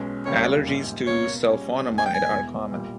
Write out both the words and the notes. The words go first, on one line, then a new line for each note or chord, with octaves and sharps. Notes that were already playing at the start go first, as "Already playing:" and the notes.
Allergies to sulfonamide are common.
Already playing: B1 B2 G#3 C#4
E1 D#2 C#3 G3 A#3 C#5
A#1 G#2 G3
C#2 B2 A#3 C#5
A#2 G3 C#4 G#4 C#5
E1 D#2 C#3 G#3
G#5
G5
G#5
E2 B2 G#3 B3 E4
A#1 A#2 G3